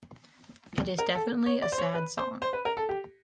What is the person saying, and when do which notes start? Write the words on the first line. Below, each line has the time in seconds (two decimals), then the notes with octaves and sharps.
It is definitely a sad song.
0.98 A#4
1.15 A4
1.46 C#5
1.62 D5
1.72 C5
1.78 C#5
1.94 B4
2.18 C5
2.42 C5
2.53 B4
2.65 A#4
2.77 A4
2.89 G4